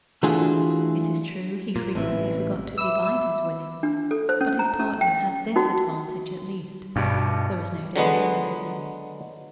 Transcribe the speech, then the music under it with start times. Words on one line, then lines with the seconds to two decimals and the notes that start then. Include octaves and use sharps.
It is true he frequently forgot to divide his winnings, but his partner had this advantage, at least: there was no danger of losing.
0.23 E3 A3 D4 F4 F#4 G#4
1.76 A#2
1.95 A1 C3 E3
2.78 E5 B5 D6 E6
3.83 D4
4.11 A4
4.29 C5
4.41 C#4
4.59 A#5
4.79 C#4
5.01 G5
5.56 D#4 F#4
6.96 G2 B2
7.96 D3 F#3 G#3 B3